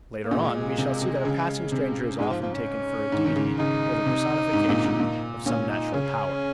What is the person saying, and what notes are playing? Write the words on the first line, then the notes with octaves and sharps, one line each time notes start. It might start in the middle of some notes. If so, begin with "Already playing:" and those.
Later on we shall see that a passing stranger is often taken for a deity or the personification of some natural power.
A#3
A#2 G#3
C3
C3
C#3
C3
G#2 G#3
F3
F3
C#4
G#2
D#3
C#3
C#3 D#4
C3
G#2
A#2
G#2
A#2
A#2 C#4
D#4
C#3 C#4